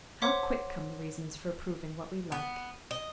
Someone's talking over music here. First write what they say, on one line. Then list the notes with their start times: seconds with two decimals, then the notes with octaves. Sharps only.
How quick come the reasons for approving what we like!
0.22 C5 C#5 F#5 C6 D6 B6
2.32 B3
2.91 D#5